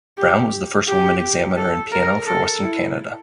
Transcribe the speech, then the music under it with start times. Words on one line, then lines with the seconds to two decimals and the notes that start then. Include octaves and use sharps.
Brown was the first woman examiner in piano for Western Canada.
0.17 G4
0.88 G4
1.57 A4
1.92 A#4
2.27 A4
2.62 E4